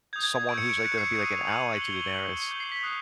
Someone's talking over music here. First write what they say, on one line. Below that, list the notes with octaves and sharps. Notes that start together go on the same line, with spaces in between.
someone who's, like, gonna be, like, an ally to Daenerys,
D#6 G6 G#6
G#6
G#6
C#6 E6 G6 D7
C#7
D7
C#6 F#6 C#7
C#7
C7
C#7
D#6 G6 C#7
D#7
F7
D#6 F#6 F#7
F#7
C#6 F#6 G7
D#6 G6
D6 G6
C7
B6
D#6 F#6